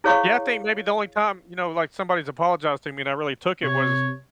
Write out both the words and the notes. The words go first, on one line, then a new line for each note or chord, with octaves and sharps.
Yeah, I think maybe the only time, you know, like, somebody's apologized to me and I really took it was
E4 G#4 C5 C#5 F5 C#6
C3 C#5